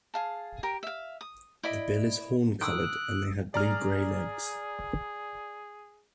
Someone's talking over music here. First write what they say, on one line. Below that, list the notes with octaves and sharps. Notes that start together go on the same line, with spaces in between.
The bill is horn-coloured and they had blue-gray legs.
G#4 F5 A5
G4 A#4
E5 F5
D#6
E4 D5 D#5 B5
D3 D#3 D#6 E6 F#6 D7
G#4 D5 A#5 F6